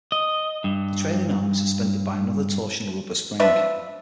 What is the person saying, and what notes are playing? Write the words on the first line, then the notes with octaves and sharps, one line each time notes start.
The trailing arm was suspended by another torsional rubber spring.
D#5
G2
F3 D4 B4 E5